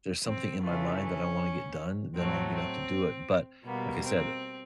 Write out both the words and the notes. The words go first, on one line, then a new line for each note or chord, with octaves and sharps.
there's something in my mind that I wanna get done, then I'll get up to do it. But, like I said,
C4
C#3 E3 A3 F4
C#4
A2 F#3 A3 C4
C4
B2 G3 A#3 B3
C4